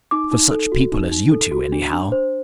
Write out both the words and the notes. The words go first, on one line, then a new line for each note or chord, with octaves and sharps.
For such people as you two anyhow.
D#4 D6
D#4
A4
F#4
D#4
D#4
A4
F#4
D4
D4
C5